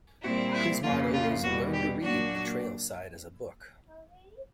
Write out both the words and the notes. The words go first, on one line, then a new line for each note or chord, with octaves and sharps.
His motto was Learn to Read the Trail-side as a Book.
A#2 G3 C4 E4 F#4
E4
F2 C#3 F3 A#3 F4
F4
E2 B2 G3 F#4
G4
A#2 F#3 A#3 D4 F#4